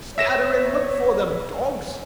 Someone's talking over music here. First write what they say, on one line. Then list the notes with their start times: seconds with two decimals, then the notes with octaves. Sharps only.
Scatter and look for them, dogs!
0.18 C#5 E5 A#6 E7